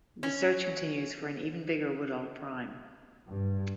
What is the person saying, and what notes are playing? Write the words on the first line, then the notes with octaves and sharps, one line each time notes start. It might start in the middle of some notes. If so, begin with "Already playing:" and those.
The search continues for an even bigger Woodall prime.
C#4
G2